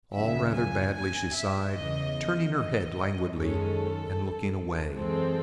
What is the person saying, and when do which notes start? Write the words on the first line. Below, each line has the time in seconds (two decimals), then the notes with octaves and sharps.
"All rather badly," she sighed, turning her head languidly and looking away.
0.14 D#2 C#3 F#3 E5
0.55 G#5
0.95 G#5
1.34 E5
1.75 E2 C#3 E3 D#5
2.55 D#5
3.34 F#2 D#3 G#3 C#4 A4
4.94 F#2 E3 G#3 C4 A4